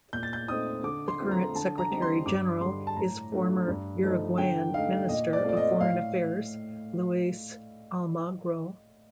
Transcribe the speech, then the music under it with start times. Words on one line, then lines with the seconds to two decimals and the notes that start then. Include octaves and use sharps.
The current Secretary General is former Uruguayan minister of foreign affairs Luis Almagro.
0.13 A#2 G6
0.23 A6
0.33 G6
0.48 A3 C4 D#4 D#6
0.83 D3 D6
1.08 C6
1.20 A3 C4 F4
1.31 A#5
1.55 D3 A5
1.78 A#5
1.91 G3 C4 D#4
2.02 C6
2.26 G2 D6
2.61 D3 G3 C6
2.87 A5
2.97 A2 A#5
3.32 A3 D4 F4
3.68 G2
4.03 F3 A3 D#4
4.38 D3 G5
4.74 A3 D#4 F5
5.09 A#2 D#5
5.33 D5
5.44 A3 C4 F4 D5
5.57 D#5
5.80 A2 F5